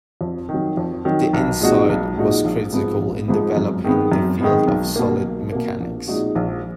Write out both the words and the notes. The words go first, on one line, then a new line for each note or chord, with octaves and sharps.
The insight was critical in developing the field of solid mechanics.
F2
D#3
F#3
F2
D#3 F#3
B1
A#2 G#3 D#4 F#4
B1
A#2 G#3 D#4 F#4
A#1
G#2 F3 G#3 B3
A#1
G#2 F3 G#3 B3
F#2
D#3 G#3 B3
F#2
D#3 G#3 B3
B1
B2 A#3
B1
B2 A#3
A#1
A#2 G#3 D#4 F#4
A#1